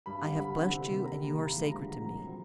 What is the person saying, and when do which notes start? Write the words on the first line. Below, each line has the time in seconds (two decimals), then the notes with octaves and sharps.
I have blessed you and you are sacred to me.
0.06 G2 B5
0.23 D3 G3 C4
0.39 G2 B5
0.56 D3 G3 C4
0.72 C3
0.89 D#3 G3 A#3
1.05 C3 A#5
1.22 D#3 G3 A#3
1.38 G2 B5
1.54 D3 F3 G#3
1.71 G2 A#5
1.88 D3 F3 G#3
2.04 A#2 A#5
2.20 F#3 A3 C4